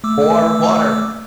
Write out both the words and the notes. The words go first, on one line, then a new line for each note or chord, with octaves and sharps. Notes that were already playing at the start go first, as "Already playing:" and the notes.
More water!
A3 D6 E6